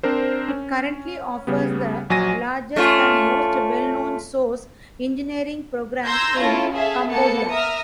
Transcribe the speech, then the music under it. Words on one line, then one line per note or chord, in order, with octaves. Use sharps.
It currently offers the largest and most well known source engineering program in Cambodia.
C4 D4 A#4 C5
C#4
C#3 G3 B3
A#1 F#3 G#5 A#6 D#7
A3 C#4 F4
A#5 C6 E6 G6 G#6 A#6
C#4 E4 F4 A4
G#4 A4 E5 F5
A#3 B3 A4 A5 C#7
E5 A#5 D#6 F6